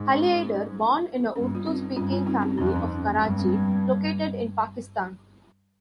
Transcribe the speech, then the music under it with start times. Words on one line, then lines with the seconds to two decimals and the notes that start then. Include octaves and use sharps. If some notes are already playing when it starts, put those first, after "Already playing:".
Ali Haider born in a Urdu Speaking family of Karachi located in Pakistan.
Already playing: G#2
0.14 C#4
1.36 G2 C#4
1.55 F4
1.66 C4 D#4
1.96 G2 C#4 F4
2.12 C#4 F4
2.27 C4 D#4
2.42 C4 D#4
2.58 F2 C#4
2.67 D#4
2.76 C#4
3.07 A#3
3.19 G2 G#3
3.39 C4
3.49 A#3